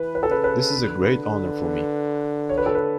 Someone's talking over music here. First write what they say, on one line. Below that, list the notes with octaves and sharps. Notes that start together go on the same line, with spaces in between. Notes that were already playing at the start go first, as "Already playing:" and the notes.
This is a great honour for me.
Already playing: E3 B4
B4
A4
C#3 B4
B4
D3
C#5
B4
A4
B4